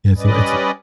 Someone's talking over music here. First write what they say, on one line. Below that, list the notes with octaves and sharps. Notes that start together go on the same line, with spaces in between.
Yeah, so, li it's
G3 C#4 B4 D5 D#5